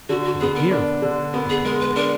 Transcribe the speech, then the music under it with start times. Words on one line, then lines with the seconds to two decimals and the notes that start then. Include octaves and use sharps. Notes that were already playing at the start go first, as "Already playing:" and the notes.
"Did ye hear of her?" repeated Dick.
0.09 D3 F#4
0.25 F#4
0.40 B3 G#4
0.56 A#4
0.71 D4
1.02 D3
1.33 B3 A#4
1.50 G#4
1.65 G#3 A#4
1.81 B4
1.96 D4 A#4